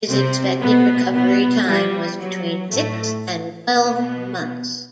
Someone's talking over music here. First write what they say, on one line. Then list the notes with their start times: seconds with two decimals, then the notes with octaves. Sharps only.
His expected recovery time was between six and twelve months.
0.08 C3 C4
0.61 B2 B3
1.14 B2 B3
1.66 G3
2.19 F#3
2.70 A2 A3
3.76 B2 B3